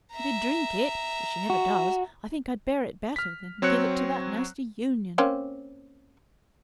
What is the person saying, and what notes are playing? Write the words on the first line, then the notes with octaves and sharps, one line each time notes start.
If he'd drink it, which he never does, I think I'd bear it better than give it to that nasty Union.
E5 A#5
F#4
F6 B6
F#3 C4 C#5 C#6 F#6 C#7
A#3 C4 C#4